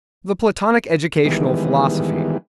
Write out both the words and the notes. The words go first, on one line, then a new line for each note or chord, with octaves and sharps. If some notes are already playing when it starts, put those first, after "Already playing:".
The Platonic Educational Philosophy.
D#3 E3 G3 G#3 B3